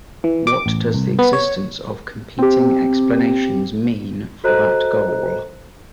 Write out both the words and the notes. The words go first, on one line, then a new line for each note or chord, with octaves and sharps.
What does the existence of competing explanations mean for that goal?
E3
D6
A1
C2
B3
C#5
C4 G4
F#4 A4 C5 D#5 A#5 F#6